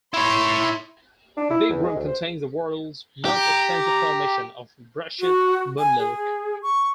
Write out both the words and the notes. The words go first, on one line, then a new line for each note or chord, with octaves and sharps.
The Big Room contains the world's most extensive formation of brushite moonmilk.
E4 C#5 B5 C6
D4
E4
E2
G#3
D2
C5
G4 A#5
F#4
G#5
G#4
C#6